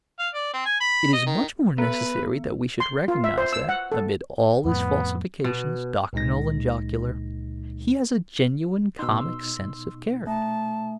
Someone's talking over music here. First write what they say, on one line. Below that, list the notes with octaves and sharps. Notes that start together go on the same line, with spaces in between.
It is much more necessary that we should recognize that, amid all his falsifications, doctrinal and jocular, he has a genuine comic sense of character.
F5
D5
C4
G#5
B5
D#5
D#3
B3 B4
C6
F4
E5
C5
E6
F#5
A4
F2 A2 B3
B2
C#2 A#2 G#3 D#4 A#6
B2 D#4 C6 E6
A3 A5